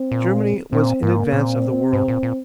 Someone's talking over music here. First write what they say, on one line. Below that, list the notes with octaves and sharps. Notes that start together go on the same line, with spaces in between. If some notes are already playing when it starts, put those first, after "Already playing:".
Germany was in advance of the world.
Already playing: C4
A#2
A#2 C4
G#2 A#3
A#2 C4
G#2
A#2
A#2